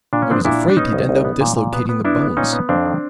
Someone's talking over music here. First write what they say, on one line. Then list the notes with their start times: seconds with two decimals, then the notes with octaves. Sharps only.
I was afraid he'd end up dislocating the bones.
0.13 A#2 D4
0.22 C#4
0.30 B3 C4 D4
0.45 A#2 D4 E4
0.61 G3
0.70 D4
0.77 B3 C#4 D#4
0.93 C2
1.09 C2
1.25 B3
1.41 A#2
1.57 A#2
1.73 B3
1.89 B3
2.04 B3 D4 E4
2.21 B3
2.37 A#2 C#4 D#4
2.53 B3
2.69 F2 C4 D4
2.85 D#3